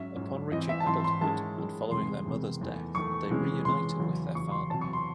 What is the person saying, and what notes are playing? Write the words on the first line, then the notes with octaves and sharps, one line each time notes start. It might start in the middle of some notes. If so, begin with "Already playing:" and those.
Upon reaching adulthood, and following their mother's death, they reunited with their father.
Already playing: G#2 F#3 C#4 E5
G#2 F#3 C#4
G#2 E3 C4 D#5
E5
A5
G#2 E3 C4 C6
C6
D#3 G#3 C#4 E4 A5
D#3 G#3 C#4 E4
E2 C3 D#3 G#3 C6
E2 C3 D#3 G#3
E2 D#3 A3
E2 D#3 A3 C#6
C3 E3 G#3 C#4
C3 E3 G#3 C#4 C6
E2 C#3 F#3
E2 C#3 F#3 C#6
C6
E2 C3 F#3 A5
C#6
C6